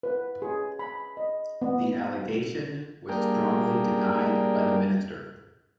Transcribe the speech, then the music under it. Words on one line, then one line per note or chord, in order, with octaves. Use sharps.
The allegation was strongly denied by the minister.
B4
G#4
B5
D#5
B3
G3 A#3 D4 G#4 A#4 G5